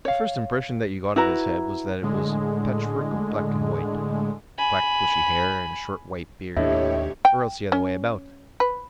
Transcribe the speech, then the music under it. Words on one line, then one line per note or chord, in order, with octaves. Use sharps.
The first impression that you got of his head was that it was a patchwork of black and white--black bushy hair and short white beard, or else the other way about.
C#5 F5
E4 F#4 B4 A#5
A2 D3 G#3
G#5 B5
D#2 A2 D4 G4 C#5 D#5 E5
G5
C#4
B4